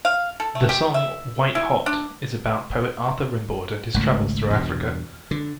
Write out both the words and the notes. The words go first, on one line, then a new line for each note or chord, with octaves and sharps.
The song "White Hot" is about poet Arthur Rimbaud and his travels through Africa.
F5
A4
A3
G4
E5
E4
D4
G#1 C#2 A3
E2 G2 B2
D3